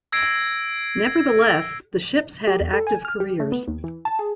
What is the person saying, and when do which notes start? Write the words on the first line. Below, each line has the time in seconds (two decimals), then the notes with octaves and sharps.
Nevertheless, the ships had active careers.
0.12 E6 G#6 A#6 C7 D7
2.47 G4
2.60 E2
2.73 A4
2.87 G#5
3.05 F6
3.20 G4
3.40 A3
3.52 B3
3.67 D#2
3.84 E3
4.05 A5
4.19 G#4